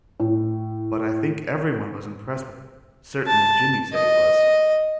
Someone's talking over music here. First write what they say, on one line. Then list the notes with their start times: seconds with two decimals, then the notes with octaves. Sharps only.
But I think everyone was impressed with it; certainly Jimmy said he was.
0.20 A2
3.27 A5
3.93 D#5